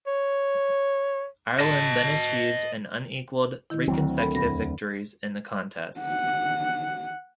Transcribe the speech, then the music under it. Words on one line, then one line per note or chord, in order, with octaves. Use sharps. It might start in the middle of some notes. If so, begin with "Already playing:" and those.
Ireland then achieved an unequalled three consecutive victories in the contest.
C#5
D#5 A5
D#3 E4
D2 F#3 C4
A4 A#4 B5
E2 B5 A#6
F#5